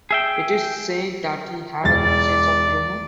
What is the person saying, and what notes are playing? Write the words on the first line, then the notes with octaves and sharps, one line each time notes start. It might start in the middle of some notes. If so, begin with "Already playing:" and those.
It is said that he had a good sense of humour.
G#4 E5 G5
E1 D5 A6